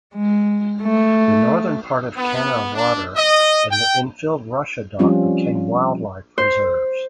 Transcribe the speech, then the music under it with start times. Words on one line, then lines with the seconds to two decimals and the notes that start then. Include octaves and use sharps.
The northern part of Canada Water and the infilled Russia Dock became wildlife reserves.
0.14 G#3
0.83 A3
2.16 B3
2.75 D4
3.16 D#5
3.70 G5
4.99 F3 G3 C4 C#4 F4
6.38 C5